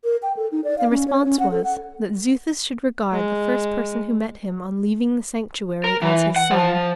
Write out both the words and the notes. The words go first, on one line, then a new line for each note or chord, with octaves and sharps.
The response was, that Xuthus should regard the first person who met him on leaving the sanctuary as his son.
A#4
G5
A4
D#4
D5
F5
C#4
C#5
C#4
F#5
A4
F#5
G#3
A#4
E3
F#5
F3